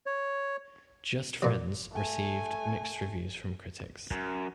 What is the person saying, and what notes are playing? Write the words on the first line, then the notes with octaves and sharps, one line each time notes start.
"Just Friends" received mixed reviews from critics.
C#5
A#2 F#3
A3 G#5
F#2